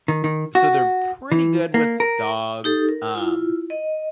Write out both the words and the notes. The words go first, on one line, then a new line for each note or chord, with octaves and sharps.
so they're pretty good with dogs. Um,
D#3
D#3
F#4
E3
A#3
A#4
D#4 G4 A4
A#4
E4 F4
D#5